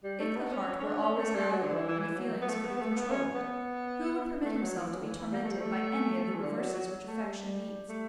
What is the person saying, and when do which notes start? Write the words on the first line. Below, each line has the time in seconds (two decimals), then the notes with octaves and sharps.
If the heart were always malleable and the feelings could be controlled, who would permit himself to be tormented by any of the reverses which affection meets?
0.04 G3
0.20 A3
0.37 B3
0.52 C#4
0.68 C#4
0.80 C#4
0.85 D4
1.02 C#4
1.18 A3
1.35 G3
1.51 F#3
1.63 D3
1.75 E3
1.88 E3
2.00 E3
2.17 F#3
2.42 B3
2.49 A3
2.66 B3
2.77 B3
2.82 A3
2.97 B3
3.11 C#4
3.35 B3
4.45 A3
4.61 F#3
4.78 E3
4.95 F#3
5.02 D3
5.07 E3
5.19 E3
5.32 G3
5.43 A3
5.51 G3
5.60 A3
6.35 E3
6.42 D3
6.58 F#3
6.74 F#3
7.08 A3
7.24 G3
7.89 A3